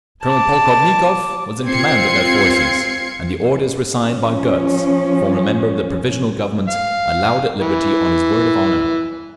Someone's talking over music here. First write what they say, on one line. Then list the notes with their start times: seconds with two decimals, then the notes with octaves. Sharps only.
Colonel Polkovnikov was in command of their forces, and the orders were signed by Gotz, former member of the Provisional Government, allowed at liberty on his word of honour....
0.23 A5 D6
1.67 C4 F4 G#6 C7 C#7
4.03 F3 C#4
6.68 F5
7.61 E3